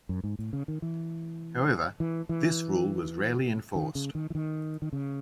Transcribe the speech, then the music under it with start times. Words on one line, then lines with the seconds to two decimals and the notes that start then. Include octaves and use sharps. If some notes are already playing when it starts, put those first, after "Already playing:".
However, this rule was rarely enforced.
0.09 F#2
0.24 G#2
0.39 A2
0.53 C#3
0.68 D#3
0.82 E3
2.00 E3
2.29 E3
3.75 D#3
3.95 C#3
4.15 D#3
4.30 E3
4.35 D#3
4.82 D#3
4.93 C#3